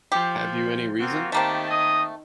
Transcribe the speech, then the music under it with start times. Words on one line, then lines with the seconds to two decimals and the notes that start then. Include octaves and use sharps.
Have you any reason?
0.12 F3 G4
0.99 A#3 C4 F4 F#4
1.32 D#3 A3 A#3 C4 G4 A5
1.69 D#5 D#6